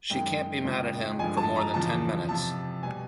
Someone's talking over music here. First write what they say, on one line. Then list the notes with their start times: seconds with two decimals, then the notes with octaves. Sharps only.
She can’t be mad at him for more than ten minutes.
0.10 F#2 D#3 G#3 G5
0.64 F2 C#3 F3 G#3
1.19 G2 D3 F3 G#3 G#5
1.37 A5
1.56 A#5
1.74 E2 C#3 F3 A5
2.29 F2 C3 F3 A5
2.83 B2 G3 G#5